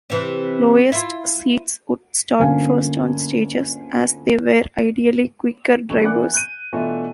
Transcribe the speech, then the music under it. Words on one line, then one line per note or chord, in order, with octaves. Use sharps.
Lowest seeds would start first on stages, as they were ideally quicker drivers.
C3 E3
E4 F4
G1 D2 A#3 C#4 F5 G#5
D3 F#3 G3 A3 D4
E3 A#3 D4 F#5 D6 F#6
F#6 G6 D#7
B2 E3 A3 D4 F4 F#4